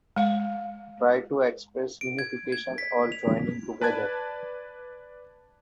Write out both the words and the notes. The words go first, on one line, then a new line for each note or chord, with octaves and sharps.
Try to express unification or joining together.
G#3 F5
D7
G#6
G#6
B6
F7
B4 D5 A5 F#6 G#6